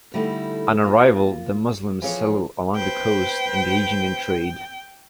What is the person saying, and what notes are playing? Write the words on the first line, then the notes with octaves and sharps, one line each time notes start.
On arrival, the Muslims settled along the coast, engaging in trade.
D3 G3 A3 D#4 E4
A#3 F4
E3 F3 G#4 C#5
B4 C5 G5